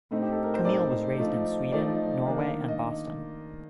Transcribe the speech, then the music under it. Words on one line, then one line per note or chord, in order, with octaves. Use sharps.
Camille was raised in Sweden, Norway and Boston.
A2 A3 C4 D#4
G4
A4
A#4
C5
A2 A3 C4 D#4 D5
F3 A3 D#4
F3 A3 D#4 D5
D#3 A#3 D4
D#5